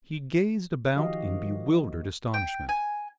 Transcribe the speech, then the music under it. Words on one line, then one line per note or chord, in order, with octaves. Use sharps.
He gazed about in bewildered astonishment.
D#3 F3 F#4 G4 D#5 F5
G5
G#5